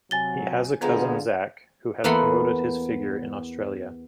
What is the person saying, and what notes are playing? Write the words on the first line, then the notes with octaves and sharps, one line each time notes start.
He has a cousin, Zac, who has promoted his figure in Australia.
C3 F#3 G#5 A6 G7
D3 F3 G#3 B3 D#4 F4
E2 A#3 B3 A4 B5 C6